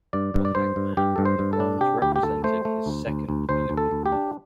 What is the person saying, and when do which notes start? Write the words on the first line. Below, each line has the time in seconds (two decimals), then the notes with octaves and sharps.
For Hagman, the bronze represented his second Olympic medal.
0.13 G2 D5
0.34 G2
0.45 D5
0.55 G2 C5
0.76 G2
0.97 G2 G4
1.16 G2 A4
1.25 C5
1.39 G2
1.53 A4
1.60 D4
1.81 C3 G4
2.02 D2 G4
2.16 G4
2.23 D2 A4
2.44 A3 C5
2.65 A3
2.86 D2
3.07 D2
3.29 D2
3.49 D2 C5
3.70 D2
3.77 A4
3.91 D2
4.06 G4
4.12 D4